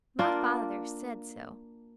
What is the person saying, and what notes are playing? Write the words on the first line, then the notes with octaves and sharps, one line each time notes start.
My father said so.
A#3 D4 F4